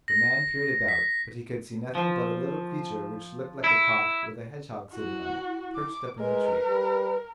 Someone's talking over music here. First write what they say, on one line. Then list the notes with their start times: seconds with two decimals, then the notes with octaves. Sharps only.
The man peered about, but he could see nothing but a little creature which looked like a cock with a hedgehog sitting on it, perched up in a tree.
0.08 A#6
0.88 B6
1.95 F3
3.64 E4
4.93 E4 F#4
5.76 D6
6.20 G#3 A#4 B4
6.67 G3